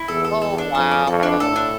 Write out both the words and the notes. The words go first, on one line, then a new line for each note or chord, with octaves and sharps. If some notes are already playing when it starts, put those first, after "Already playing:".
Oh wow! Oh,
Already playing: E4
E2 A4
A4
A4
D4
F2 A5
D5
F2 A4
D4
A2 A4
D4